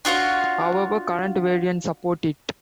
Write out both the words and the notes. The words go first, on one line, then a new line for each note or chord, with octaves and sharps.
However, current variants support it.
D4 F4 F#4 C#5